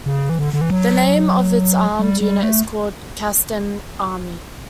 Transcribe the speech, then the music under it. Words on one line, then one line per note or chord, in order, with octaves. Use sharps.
The name of its armed unit is called Kasdan Army.
C#3
E3
D3
D3
E3
F#3
G3
G3
A3